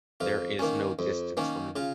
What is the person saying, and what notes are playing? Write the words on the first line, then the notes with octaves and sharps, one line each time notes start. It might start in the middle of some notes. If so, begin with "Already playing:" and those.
There is no distance learning.
F2 F4
D#3 A#3 C#4
F2
D#3 A#3 C#4
C#3 F4